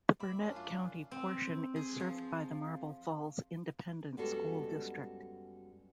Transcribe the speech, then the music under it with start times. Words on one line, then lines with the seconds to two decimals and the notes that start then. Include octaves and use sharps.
The Burnet County portion is served by the Marble Falls Independent School District.
0.20 D5 E5 B5
0.40 F#2 C#4 D4
0.55 F4 D5
1.11 C4
1.76 G#4
2.00 F3
4.17 F#2 G3 G#3 B3 F#4 A4